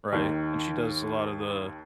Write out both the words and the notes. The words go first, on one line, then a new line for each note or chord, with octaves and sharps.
Right. And she does a lot of the
D#2 D#3